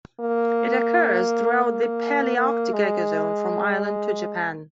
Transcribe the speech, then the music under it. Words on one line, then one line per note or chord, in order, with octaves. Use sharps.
It occurs throughout the Palearctic ecozone from Ireland to Japan.
A#3
A#3
A#3
G#3